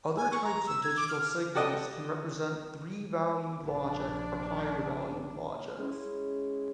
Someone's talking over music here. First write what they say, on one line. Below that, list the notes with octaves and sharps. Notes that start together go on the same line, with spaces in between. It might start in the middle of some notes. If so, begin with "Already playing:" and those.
Other types of digital signals can represent three-valued logic or higher valued logics.
G#5
C#6
A#5
E6
G#6
D6
F6
F6
F#4 G4 A4 D5 D#5 F#5
A#1 D4
G#3 C#4 E4